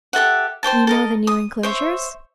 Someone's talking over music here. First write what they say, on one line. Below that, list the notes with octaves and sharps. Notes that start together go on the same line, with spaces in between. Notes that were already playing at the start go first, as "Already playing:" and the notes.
You know the new enclosures?
G4 A4 E5 F#5
C5 C#5 G5 A5
A4 A#4 D#5
D#6
C5 C#5 E5